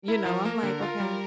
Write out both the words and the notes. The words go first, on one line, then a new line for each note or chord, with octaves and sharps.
You know, I'm like, "Okay."
E4 A#4
F3
A#3
D3
F4
G3